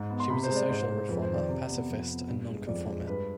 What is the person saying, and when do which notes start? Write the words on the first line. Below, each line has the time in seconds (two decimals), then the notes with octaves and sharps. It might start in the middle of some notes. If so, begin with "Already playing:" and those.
She was a social reformer, pacifist and nonconformist.
Already playing: G#2
0.10 B3
0.20 C6
0.29 C3 B5
0.43 C5
0.50 G#3
0.56 D5
0.69 G#2 C5
0.89 G#3
1.09 F2 B4
1.22 C5
1.29 D#3
1.35 D5
1.48 C3
1.68 B3
1.88 F2
2.08 B3
2.28 G2
2.48 G#3
2.67 F2 D5
2.88 G#3
3.07 G2 B4